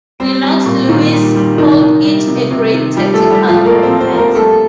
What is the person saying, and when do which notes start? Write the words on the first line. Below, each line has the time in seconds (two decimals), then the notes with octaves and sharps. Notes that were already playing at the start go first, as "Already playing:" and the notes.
Lennox Lewis called it "a great tactical performance".
0.20 G3 C4
0.43 G3
0.66 A#2
0.89 A#2 D#3 D#4
1.13 G3
1.36 G3
1.58 C3 D#3 D#4
1.82 D#3
2.04 G3
2.28 C3
2.51 C3
2.74 D#3
2.96 F3 G3 G4
3.14 A3 A4
3.20 F3
3.31 G3 G4
3.43 A2
3.48 F3 F4
3.66 A2 A#3 A#4
3.83 C4 C5
3.89 F3
4.00 C4 C5
4.12 F3 C5
4.17 A#3 A#4
4.35 G3 A3 A4